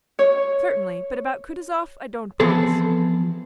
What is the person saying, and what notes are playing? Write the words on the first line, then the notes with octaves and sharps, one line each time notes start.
"Certainly; but about Kutuzov, I don't promise."
C#5
E3 F3 B3 C4 G#4 A4